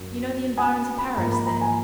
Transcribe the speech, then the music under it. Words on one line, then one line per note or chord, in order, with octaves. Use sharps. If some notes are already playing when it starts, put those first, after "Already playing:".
"You know the environs of Paris, then?"
Already playing: F#2
G#5
B5
G#2 F3 A#3 A#5
B5
A#5
G#5